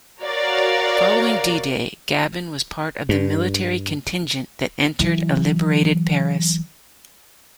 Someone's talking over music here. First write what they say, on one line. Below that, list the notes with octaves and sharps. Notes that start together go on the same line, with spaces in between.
Following D-Day, Gabin was part of the military contingent that entered a liberated Paris.
F#4 A#4 C#5 D5 F5
G2
E3 F#3